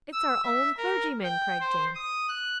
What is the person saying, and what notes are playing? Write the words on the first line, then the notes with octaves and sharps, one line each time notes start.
'It's our own clergyman,' cried Jane.
E6
E5
A#4
G5
C5
D#6
F#6